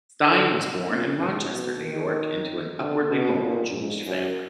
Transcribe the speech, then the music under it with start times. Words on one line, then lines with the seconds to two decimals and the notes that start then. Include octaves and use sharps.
Stein was born in Rochester, New York into an upwardly mobile Jewish family.
0.23 D3
0.87 A#2
1.19 G#2
1.50 B2
1.82 D#3
2.78 D3
3.10 B2
3.41 A#2
3.73 G#2
4.05 F#2